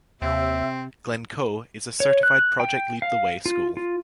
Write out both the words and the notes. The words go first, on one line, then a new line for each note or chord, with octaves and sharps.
Glencoe is a certified Project Lead The Way school.
D#2 C3 C4 E5
C#5
F#6
G5
F5
F4
F4